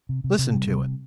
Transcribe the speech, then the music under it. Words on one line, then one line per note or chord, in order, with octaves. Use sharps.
Listen to it!
C3
C3
C3
G3
C3